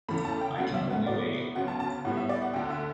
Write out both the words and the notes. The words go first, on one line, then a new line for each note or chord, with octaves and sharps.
I can only wait.
E2 C#3 E3 A3 B5
A5
G5
D2 C#3 F#3 B3 F#5
E5
F#5
A2 F#3 B3 D5
D2 C#3 F#3 B3 F#5
A5
A5
A2 G3 B3 F#5
E5
D5
F#5
D2 D3 A3 G5
E5